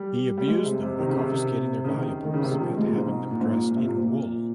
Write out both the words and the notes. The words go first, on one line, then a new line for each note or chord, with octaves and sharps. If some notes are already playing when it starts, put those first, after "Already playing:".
He abused them by confiscating their valuables and having them dressed in wool.
Already playing: G3
G3
G#3
C3
C3
D#3
C#3
C3
C#3
D#3
D#3
C#3
C3
D#3
F3
G3
G#3
A#2
G#2
A#2
G#2
A#2
A#2
C3
A#2
A#2